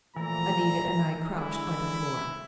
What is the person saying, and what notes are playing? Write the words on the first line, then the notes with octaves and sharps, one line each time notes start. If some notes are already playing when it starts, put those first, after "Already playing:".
Anita and I crouched by the floor.
A#2 E3 F3 A3 A#5
D3 G#3 E4